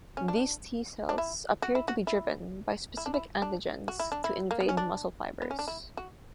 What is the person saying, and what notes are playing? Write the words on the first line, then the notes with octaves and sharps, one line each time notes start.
These T cells appear to be driven by specific antigens to invade muscle fibers.
C#4
D4
D4
E4
F#4
E4
F#4
E4
E4
D4
E4
D4
F#4
E4
D4
E4
A#3
B3
C#4
D4
B3
C#4
D4
E4
F#4